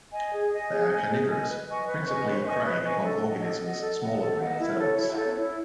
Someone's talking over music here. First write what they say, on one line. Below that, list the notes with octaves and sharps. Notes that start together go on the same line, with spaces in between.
They are carnivorous, principally preying upon organisms smaller than themselves.
D#5 G#5
G#4
D#5 G#5
G#4
D#5 G#5
G#4
D#5 G#5
B4
D#5 G#5 C#6
B4
D#5 G#5 C#6
B4
D#5 G#5 C#6
B4
D#5 G#5 C#6
A4
D#5 F#5
A4
D#5 F#5
A4
D#5 F#5
A4
D#5 F#5
E4
A4 C#5
E4
A4 C#5
E4